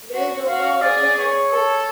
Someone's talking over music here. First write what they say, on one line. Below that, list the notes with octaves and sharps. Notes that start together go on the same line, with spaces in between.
Bill Roper was the head coach.
F#4
F#4 F5
G#4 D5
C#5
A4